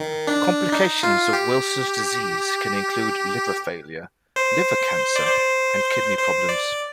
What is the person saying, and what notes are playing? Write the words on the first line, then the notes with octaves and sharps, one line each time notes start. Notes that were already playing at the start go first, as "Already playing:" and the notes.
Complications of Wilson's disease can include liver failure, liver cancer, and kidney problems.
Already playing: D#3
D4
D#4
F4
G4
C5
D5
C5
C5
D5